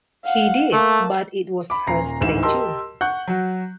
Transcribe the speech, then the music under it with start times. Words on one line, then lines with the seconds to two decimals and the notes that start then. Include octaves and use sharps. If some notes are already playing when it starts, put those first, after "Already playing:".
He did, but it was her statue.
0.24 F5 F#5
0.73 A3 A#3 A5
1.70 B5 D6
1.87 D#1 A#2 A#5 C7
2.20 D1 D2 G#2 E3 E7
2.43 G4 A#4 D#5 A5 C6 E6
3.01 F#5 C#6 F#6 G6
3.28 F#3 F#4